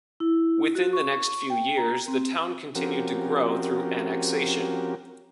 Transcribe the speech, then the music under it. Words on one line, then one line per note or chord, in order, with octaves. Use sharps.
Within the next few years, the town continued to grow through annexation.
E4
F#4
C#6
G5
A#5
C4
F3 C4 C#4 F#4 G4 A#4